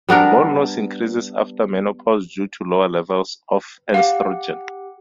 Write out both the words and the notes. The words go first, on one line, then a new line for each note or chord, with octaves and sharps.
Bone loss increases after menopause due to lower levels of estrogen.
G3 B3 D4 A#4
G4 F5 F#5